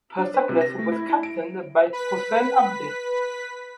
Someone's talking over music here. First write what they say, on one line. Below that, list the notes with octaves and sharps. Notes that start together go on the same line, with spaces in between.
Persepolis was captained by Hossein Abdi.
D4
B4
C3
A#6
A3
E4
E4
D7
B4 B6